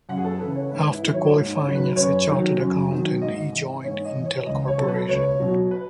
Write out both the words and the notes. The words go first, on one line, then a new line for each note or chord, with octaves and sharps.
After qualifying as a chartered accountant, he joined Intel Corporation.
F#2 F#5
G#4
A4
C#3 E3 B4
C#5
G#2 B4
E4
D#3 F#3
C#5
G#2
C#5
D#3 F#3
B4
F#2 C#5
D#3 F#3
F#2
D#3 F#3
G#2 D#5
E3
G#2 C#5
D#5
E3
C#5
C#2 D#5
C#5
B2 F#3 A4
B4
C#2 C#5
B2 F#3
B4